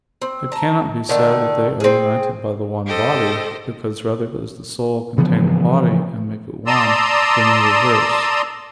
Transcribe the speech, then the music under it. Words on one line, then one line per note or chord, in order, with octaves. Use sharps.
It cannot be said that they are united by the one body; because rather does the soul contain the body and make it one, than the reverse.
C4
A5 A#5
D3 D#3 A3
C4 G#4
G4 A4 C5 D#5
C#3 E3 F3 B3
D5 A5 A#5 C6 D#6 E6